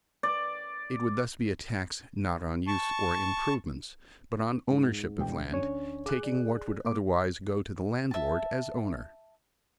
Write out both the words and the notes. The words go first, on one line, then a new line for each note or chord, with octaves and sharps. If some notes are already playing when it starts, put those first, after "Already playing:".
It would thus be a tax, not on use or improvements, but on ownership of land, taking what would otherwise go to the landlord as owner.
D5
A5 C#6
G#2
E1 G5
D2 C#4 D4 C#5
G#4 D6 F#6
D5
A#3 D6
E5 A5